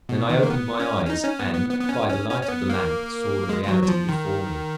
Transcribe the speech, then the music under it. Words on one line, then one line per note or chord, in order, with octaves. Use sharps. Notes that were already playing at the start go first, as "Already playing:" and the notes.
Then I opened my eyes and, by the light of the lamp, saw the reality before me.
B2
D#3
A#3
B3
C#4
C#4
D#4
C#4
B3
B3
B3
B3
C#4
C#4
C#4
C#4
B3
A#3
G#3
G#3
F#3
F#3
F3
D#3